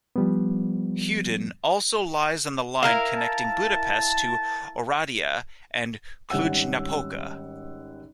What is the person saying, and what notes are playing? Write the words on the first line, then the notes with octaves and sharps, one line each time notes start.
Huedin also lies on the line connecting Budapest to Oradea and Cluj-Napoca.
F3 G3 B3
E4 A#4 F5
A5
G#1 G3 C#4 F#5 E6